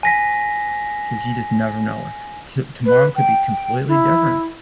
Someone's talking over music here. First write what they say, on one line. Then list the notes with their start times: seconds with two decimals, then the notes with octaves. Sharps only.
'cause you just never know. T tomorrow could be completely different
0.03 G#5 A#6 B6
2.86 B4
3.16 G5
3.88 E4